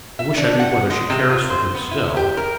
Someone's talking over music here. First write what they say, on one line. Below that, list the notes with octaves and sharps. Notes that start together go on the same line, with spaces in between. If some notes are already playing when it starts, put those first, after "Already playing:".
I wish I knew whether she cares for him still.
E5
D4
F#5
G#3
C3
F4
C5
B3
E4
G4
A#4